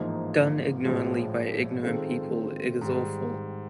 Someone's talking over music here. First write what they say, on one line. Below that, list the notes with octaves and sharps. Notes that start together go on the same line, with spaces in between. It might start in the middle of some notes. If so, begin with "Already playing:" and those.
Done ignorantly by ignorant people, it is awful.
Already playing: A1 G#2 F3 A#3 D#4
A#1 A2 F3 G#3
D#3 G#3 C4 F4 A4
G#2 D#3 G3